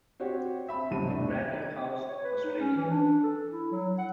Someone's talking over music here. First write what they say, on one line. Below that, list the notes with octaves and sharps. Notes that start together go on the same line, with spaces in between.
Random House Australia.
C4 F#4 G4 C#5
C4 E5 B5
B1 F#2 C3 D#7
D#2 A2 A3 D4
C#5
B4
D#4
C#4
E3
D4
A4
E4
F#3
F#5